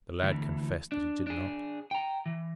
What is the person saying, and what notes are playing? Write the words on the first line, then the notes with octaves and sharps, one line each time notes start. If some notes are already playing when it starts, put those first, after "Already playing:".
The lad confessed that he did not.
D2 E3
D4
D4 G#4
G5 A#5
E3